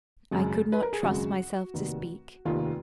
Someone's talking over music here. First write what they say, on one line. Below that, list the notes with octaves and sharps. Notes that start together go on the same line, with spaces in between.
I could not trust myself to speak.
G#1 F#2 C#3 G#3
B4
A#4
G#4
G#1 F#2 C#3 G#3 F#4
F1 D#2 D#3
F1 D#2 D#3 F4